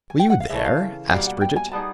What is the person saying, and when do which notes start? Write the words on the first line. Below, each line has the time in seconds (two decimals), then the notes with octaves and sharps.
"Were you there?" asked Brigitte.
0.10 G#5
0.19 G5
0.30 F#5
0.40 F5
0.49 C#3 E3 A3 E5
0.65 F5
1.11 B2 G3 A#3 F5
1.27 F#5
1.41 G5
1.56 G#5
1.72 G3 B3 D#4 G#4 A5